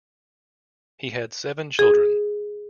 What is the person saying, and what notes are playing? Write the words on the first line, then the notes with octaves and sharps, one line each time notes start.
He had seven children.
G#4